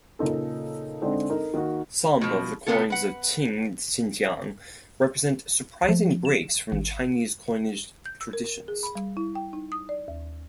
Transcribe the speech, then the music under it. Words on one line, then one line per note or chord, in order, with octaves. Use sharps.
Some of the coins of Qing Xinjiang represent surprising breaks from Chinese coinage traditions.
A#2 C#3 A#3 D#4 A4
D3 G#3 C4 D4 D#4
D#4 A4 A#4
D#3 A#3 F#4
B2 F3
C3 E3 B3 F4 A4
B4 F#5
F3
E7
G#1
G6
E6
A#4
G#4
B5
G3
E4
G5
D#4
D#6
D5
D#2